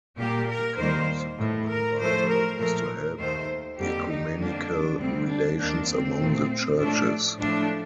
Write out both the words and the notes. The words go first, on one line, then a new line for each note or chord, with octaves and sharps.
The goal of the "Common Bible" was to help ecumenical relations among the churches.
A#2 G3 A#3 G4
A#4
D#2 D#3 G3 A#3 C5
A2 A3
A#4
A2 F3 A3 C5
A#4
A#2 F3 A3 A#4
D#2 D#3 A3 C5
F2 D3 G3 A#3 G4
D#4
F2 D3 G3 A#3 D4
D2 C3 G3 C4
D4
D#2 D#3 A#3 D4
C4
A#2 A3
A2 F3 A3 D4
A2 F3 A3 D4